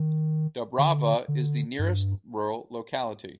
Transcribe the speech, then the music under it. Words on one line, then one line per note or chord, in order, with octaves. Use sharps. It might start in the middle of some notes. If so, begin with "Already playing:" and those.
Dubrava is the nearest rural locality.
Already playing: D#3
D3
D3
G2